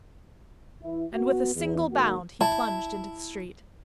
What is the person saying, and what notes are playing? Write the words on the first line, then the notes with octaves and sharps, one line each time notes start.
And with a single bound he plunged into the street.
E3 E4
B3 F#4
E2
G#2 D#3 A#3 F#4
E4 A5